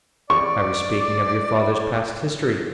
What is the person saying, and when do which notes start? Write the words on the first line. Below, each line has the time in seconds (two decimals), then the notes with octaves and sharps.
I was speaking of your father's past history.
0.30 D5 C#6